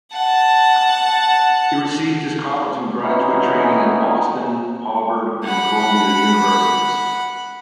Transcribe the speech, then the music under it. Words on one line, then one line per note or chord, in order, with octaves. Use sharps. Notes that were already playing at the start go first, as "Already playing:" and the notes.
He received his college and graduate training at Boston, Harvard, and Columbia universities.
F#5 A5
E3 B3 C#4 D#4 E4
F#5 B5